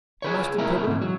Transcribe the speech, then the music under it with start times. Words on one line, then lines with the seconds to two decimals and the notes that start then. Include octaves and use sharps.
'The mustard, Prebble?
0.22 G#4 B4 C#5
0.58 G#3 C4 E4 A#4
0.86 G#2 E3
1.02 F#3